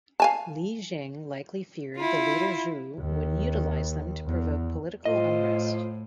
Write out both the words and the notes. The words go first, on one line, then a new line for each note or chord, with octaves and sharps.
Li Jing likely feared the Later Zhou would utilize them to provoke political unrest.
F5 G#5 A5
E4 F4
D#2
E2
A2 F4 C5 D#5